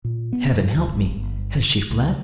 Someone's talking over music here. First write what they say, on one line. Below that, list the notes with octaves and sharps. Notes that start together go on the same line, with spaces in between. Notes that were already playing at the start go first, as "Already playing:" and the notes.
Heaven help me! has she fled?
A#2
B3
F2
D2
G#1
G1
C#2